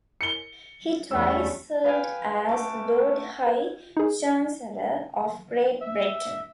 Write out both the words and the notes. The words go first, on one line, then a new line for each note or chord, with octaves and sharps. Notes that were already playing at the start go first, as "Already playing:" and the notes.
He twice served as Lord High Chancellor of Great Britain.
C#7 G7
E2 G3 A3 C#4 D4 E6
B4 F5 G5 G#5
A3 D6
B4
D#4 G#4
E5